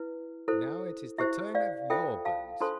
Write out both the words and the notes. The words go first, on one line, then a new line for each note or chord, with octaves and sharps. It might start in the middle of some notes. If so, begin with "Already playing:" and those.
Now it is the turn of your bones.
Already playing: E4 B4
E4 A4 C5
E4 G4 C5 E5
D5 F5
F4 A4 C5 E5 G5
F5 A5
D4 F4 A4 C5 A5 C6